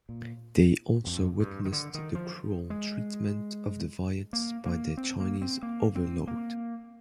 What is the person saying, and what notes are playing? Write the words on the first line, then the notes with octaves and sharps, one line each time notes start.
They also witnessed the cruel treatment of the Viets by their Chinese overlords.
A#2
F2
G2
D#3
D3
D#3
F3
G#3
A#3
A#3
C4
A#3
C4
A#3
C4
A#3